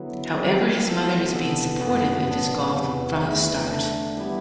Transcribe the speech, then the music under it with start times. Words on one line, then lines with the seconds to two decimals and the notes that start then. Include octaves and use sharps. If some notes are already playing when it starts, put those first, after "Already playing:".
However, his mother has been supportive of his golf from the start.
Already playing: D3 F#3 B3 E4 B4
0.37 E3 G3 C4 G4
0.84 E3 B3 E4 A4
1.31 C3 E3 B3 D4 A4
1.79 F#2 E3 B3 F#4 B4
2.27 A2 F#3 B3 D4
2.75 E2 C3 E3 B3
3.22 E2 D3 A3 E4 B4
3.69 D3 A3 D4
4.17 E3 G3 B3 E4 G4